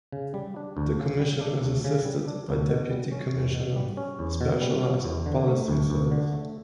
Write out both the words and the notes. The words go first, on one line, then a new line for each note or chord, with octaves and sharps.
The Commissioner is assisted by Deputy Commissioner, Specialized Policing Services.
C#3
G3
D4
D2
C#3
G3
D4
D2
C#3
G3
D4
D2
B2
G3
C#4
E2
B2
G3
C#4
E2
B2
G3
C#4
E2
D3
A3
D2
D2
D3
A3